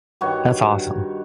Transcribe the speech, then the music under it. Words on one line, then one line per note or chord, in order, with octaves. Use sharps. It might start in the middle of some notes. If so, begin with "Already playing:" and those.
That's awesome.
G2 D#3 F#4 C#5